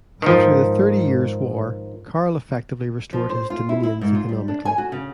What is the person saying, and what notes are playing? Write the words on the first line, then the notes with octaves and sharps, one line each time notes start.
After the Thirty Years' War Karl effectively restored his dominions economically.
G#2 D#3 F3
F3
C5
F4
E4
E4
G#2
F4
G3
D4
G#5
F#4
C#3